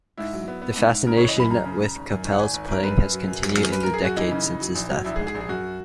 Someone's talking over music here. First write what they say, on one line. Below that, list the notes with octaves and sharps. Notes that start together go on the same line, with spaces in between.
The fascination with Kapell's playing has continued in the decades since his death.
G#2 E4
F#3
B3
B3
G#2
G#2
C#3 A#4
E3 C#5
D#5
F#2 B5
F#2 A#5
C#3
C#3
G#1
F#2
G#1
F#5
G#1 G#5
G#1
G#1 A#4
F#2 B4
F#2
F#3
F#2
F#3
F#2
F#2 B4
F#2 A#4
G#4
F#2 F#4
E3 D#4
C#3
E3
F#3
A#1
F#3
A#1 E4
G#4
G#2
G#4
A#1
G#4
F#2 F#4